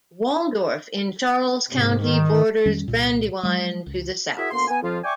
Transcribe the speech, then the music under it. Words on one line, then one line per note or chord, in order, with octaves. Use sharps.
Waldorf in Charles County borders Brandywine to the south.
G#2 C3
D#3
F2 D#3 G3 C#4
C2 A#2
F#3 G#3
C#2
E4 F#4 G#4 A#4 E5
D2 A#3 B3 C6
B3 G#5
F2 F3 F4
D5 E5 G5 G#5 C#6 D6